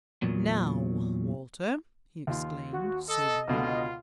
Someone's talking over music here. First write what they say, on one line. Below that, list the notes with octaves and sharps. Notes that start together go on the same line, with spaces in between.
"Now, Walter!" he exclaimed, sobering.
E2 A#2 F#3
D#2 F4
F#4
A4 D#5
C#2 B2 D3 F4